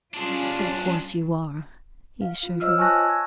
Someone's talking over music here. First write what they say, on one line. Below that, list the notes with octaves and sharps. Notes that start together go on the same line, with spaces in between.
"Of course you are," he assured her.
G3 C#4 D4 F4 G#4
F5
F4
F4 C5 C#5 D#5 E6 F6
G#5 A5 C#6 E6 F#6 A#6
G5 A5 F#6
G#6